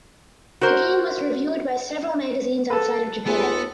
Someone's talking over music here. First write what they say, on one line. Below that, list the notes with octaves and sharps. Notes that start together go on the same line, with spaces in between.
The game was reviewed by several magazines outside of Japan.
F#4 A#4 C5
A4 B4 A5
D#2 B3 F4 G#4 A4